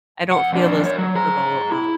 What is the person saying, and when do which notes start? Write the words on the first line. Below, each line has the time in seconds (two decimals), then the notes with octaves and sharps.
I don't feel as comfortable, um
0.32 E2 F#5
0.53 F2 D4
0.85 A#4 C#5
0.98 F#3
1.15 G#4 A#5
1.72 E4